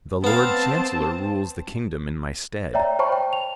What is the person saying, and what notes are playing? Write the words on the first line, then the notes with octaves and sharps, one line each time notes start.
The Lord Chancellor rules the kingdom in my stead.
B3 C4 F5 A5
C#5 D5 E5 G5 A#5
C5 C#5 G5 A5 B5 C#6
G5
F7